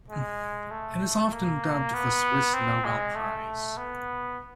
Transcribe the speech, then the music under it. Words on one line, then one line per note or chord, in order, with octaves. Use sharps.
It is often dubbed the Swiss Nobel Prize.
G#3
A3
A#3
B3
C4
G#3
A3
B3